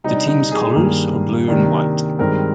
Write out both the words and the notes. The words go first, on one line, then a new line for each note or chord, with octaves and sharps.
The team's colours are blue and white.
C3 G3 D4 D#4
D#4
G#4
G2 D#3 A#3
C3 D#3 A#3 D4
G2 D#3 G#3 C4 A#4